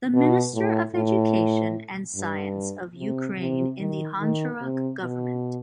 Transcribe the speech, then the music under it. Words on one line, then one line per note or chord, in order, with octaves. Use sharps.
The Minister of Education and Science of Ukraine in the Honcharuk Government.
B2
A2
A2
G2
C3
C3
D#3
D#3
C3
B2